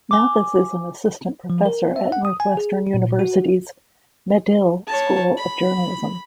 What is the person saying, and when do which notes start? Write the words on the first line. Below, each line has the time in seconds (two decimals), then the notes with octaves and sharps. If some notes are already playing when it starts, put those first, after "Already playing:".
Mathis is an assistant professor at Northwestern University's Medill School of Journalism.
0.11 G#5 D6
1.50 F3
1.66 A#4
1.96 E5
2.12 F#5
2.25 D#6
2.40 G#5
2.57 G#4
2.94 A#2
3.19 F#4
4.87 C#5 A5
5.37 B5